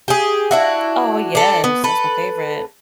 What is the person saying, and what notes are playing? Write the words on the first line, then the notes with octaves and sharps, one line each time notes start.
Oh, yes. That's my favorite.
G4 G#4
D4 E4 F#4
D4 A4
B3
A4 B4